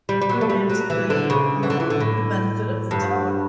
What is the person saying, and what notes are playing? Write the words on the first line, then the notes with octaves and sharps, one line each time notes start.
romantically, um, the benefit of the doubt.
G3
G3
F#3
A3
G3
F#3
E3
D3
C#3
E3
D3
E3
D3
A2
G2